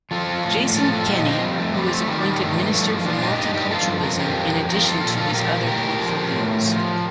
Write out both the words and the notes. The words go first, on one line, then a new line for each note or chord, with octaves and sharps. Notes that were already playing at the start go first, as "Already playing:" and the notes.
Jason Kenney who was appointed Minister for Multiculturalism in addition to his other portfolios.
F3 F4 A4
A2
F3 F4 A4
F4 A4
A#2 D#4 G4
C4 D#4
F2 G3
A3
F3 G3
A3
D#3 G3
G2 A3
F3 A3
A#2 D4 F4
D#4 G4
G2 D#4 G4
D#4 G4
F3 F4 A4
F2 A#4
G4 A#4
F3
F3 G4 A#4
F4 A4
A#2 F4 A4
F4 A4
F3 G4 A#4
A2 G4 A#4
F3
A2
F3